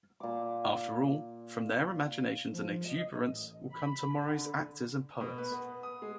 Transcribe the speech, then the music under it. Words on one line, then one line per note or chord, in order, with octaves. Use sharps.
After all, from their imaginations and exuberance will come tomorrow's actors and poets.
A#2 D6
F3
D#5
A1
B5
D3
B2
B4
B3
D#6
G#3